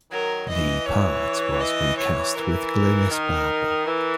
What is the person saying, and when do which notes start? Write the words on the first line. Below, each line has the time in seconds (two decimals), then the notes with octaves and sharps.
The part was re-cast with Glynis Barber.
0.10 D#3 F#3 A#4
0.48 E3 D#5
0.86 C#5
1.60 D#5
1.98 C#5
2.35 E3 A#4
3.10 D#3
3.85 E3